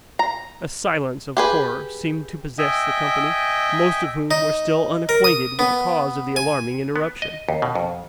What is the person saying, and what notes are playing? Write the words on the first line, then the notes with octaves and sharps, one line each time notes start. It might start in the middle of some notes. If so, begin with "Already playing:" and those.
A silence of horror seemed to possess the company, most of whom were still unacquainted with the cause of the alarming interruption.
A#5
G4 G#4 B4
D#5 E5 G5 G#5
D#4
A#4
D#6
B3
G#5
B3
D#5
D#2
B2
F2